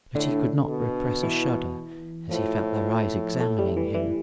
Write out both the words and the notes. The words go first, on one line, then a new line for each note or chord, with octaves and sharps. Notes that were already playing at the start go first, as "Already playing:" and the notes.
But he could not repress a shudder as he felt their eyes examining him.
A2 D3
B2
E3
A2 F3
A3
G3
E3
E3